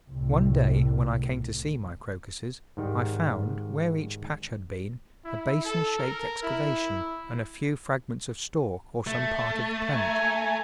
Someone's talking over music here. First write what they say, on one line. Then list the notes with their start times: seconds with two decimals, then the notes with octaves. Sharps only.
One day when I came to see my Crocuses, I found where each patch had been a basin-shaped excavation and a few fragments of stalk or some part of the plant.
0.11 C2 A2
2.77 G#2 D#3 G3
5.25 E4
5.65 A4
5.98 A#4
6.43 E4
9.07 A3
9.93 G#5 A#5